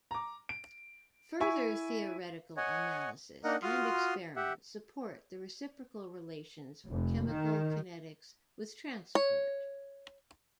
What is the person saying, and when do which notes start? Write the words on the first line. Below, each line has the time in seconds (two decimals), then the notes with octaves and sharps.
Further theoretical analysis and experiments support the reciprocal relations for chemical kinetics with transport.
0.11 A#5 D6
0.49 D7
1.40 E4 E5 G#5 C#6
2.57 C#5 D#5 F#5 G#5
3.44 A#3 D4 D#4 A#4 D#5 F#5
3.63 F4 F#4 C6 D#6 F6
4.36 G4 E5 F#5
6.87 F1
7.29 D#3
9.15 C#5